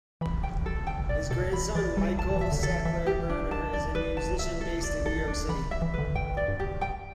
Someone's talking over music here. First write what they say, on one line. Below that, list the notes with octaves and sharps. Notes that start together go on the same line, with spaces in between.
His grandson, Michael Sackler-Berner, is a musician based in New York City.
E3 B5
G5
A4
D3 G5
B2 D5
B2 A4
E3 B5
E3 D5
G3 A4
E3 A5
E3
E5
D3
A4
E3
E3 E5
G4
D4
A5
D5
B4
A5
E5
A4
D5
A4
D4
E3 B5
E5
E3
D3 B4
G2 G5
D5
G2
G4
G5